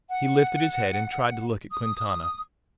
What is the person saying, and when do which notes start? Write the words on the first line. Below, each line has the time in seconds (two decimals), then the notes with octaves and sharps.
He lifted his head and tried to look at Quintana.
0.09 F#5
1.71 D#6